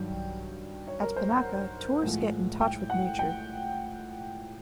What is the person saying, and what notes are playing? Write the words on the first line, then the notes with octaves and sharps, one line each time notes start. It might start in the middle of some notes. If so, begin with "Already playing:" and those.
At Panaca, tourists get in touch with nature.
Already playing: G2 D#3 F#3 G5
C#5
A#4
C5
F#5
A2 F3 G#3
G5
F#5
G5